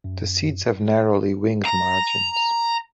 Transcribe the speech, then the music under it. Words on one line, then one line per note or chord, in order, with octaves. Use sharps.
The seeds have narrowly winged margins.
F#2
A#5